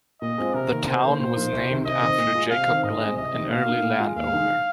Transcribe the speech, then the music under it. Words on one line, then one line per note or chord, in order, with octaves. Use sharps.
The town was named after Jacob Glen, an early landowner.
A#2 D#5
G#3 C4 F4
C3 A#4
D#3 A#3
C3 C5
D#3 A#3
A#2 C5
F3 A#3 D#4
C2
C3 D#3 C4
C3 D#5
D#3 C4
A#2
G#3 F4
C3 F5
D#3 C4
G#2 D#5
G#3 C4
C2 D#5
C3 D#3 C4
A#2 F5
A#3 D#4
A#2
G#3 F4
D#2 F5
D#3 G#3 D#4